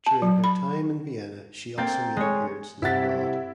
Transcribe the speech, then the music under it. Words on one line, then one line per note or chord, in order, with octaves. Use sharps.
During her time in Vienna she also made appearances abroad.
A5
F#3
B5
A#3 C4 G5 A6
G#3 C#5
G2 C3 E4 F#5 A6 B6